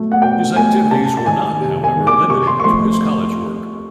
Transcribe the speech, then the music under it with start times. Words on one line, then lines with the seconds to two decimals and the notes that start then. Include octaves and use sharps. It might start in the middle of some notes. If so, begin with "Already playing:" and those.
His activities were not, however, limited to his college work.
Already playing: B2 F#3 A3
0.12 F#5
0.22 B2 G5
0.56 F#3 A3 G#5
0.91 C3 A5
1.17 A5
1.26 D#3 G#3 G#5
1.61 C3
1.84 G#5
1.95 D#3 G#3
2.07 D6
2.30 C3 C#6
2.47 C6
2.60 C#6
2.64 F3 A3 C6